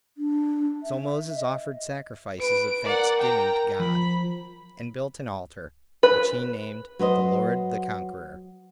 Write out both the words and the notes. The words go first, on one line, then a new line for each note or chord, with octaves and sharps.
So Moses offered sacrifices of thanksgiving to God, and built an altar, which he named The Lord the Conqueror.
D4
E5
D#5
B4 D7
A#4 D5 F#5
G5 A#5
F3 B5
B4
F#3 B4 C5 D#5